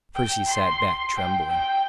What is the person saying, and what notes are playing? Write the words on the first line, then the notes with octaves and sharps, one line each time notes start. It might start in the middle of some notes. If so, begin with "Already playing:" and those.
Percy sat back, trembling.
G5
C6
G5
G5